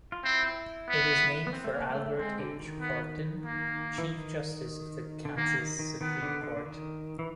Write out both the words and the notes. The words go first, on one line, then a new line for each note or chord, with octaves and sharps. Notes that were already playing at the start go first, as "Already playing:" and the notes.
It was named for Albert H. Horton, chief justice of the Kansas Supreme Court.
F4
C4 E4
B3
B3
C4
A3
A#3
A#3
A3
G#3 C4
D3
D#3
B3
A#3
E3
D#3
D3
D#3 A#3
D#3
D#3
D#3 B3
D3
D3
D3
D#3
E3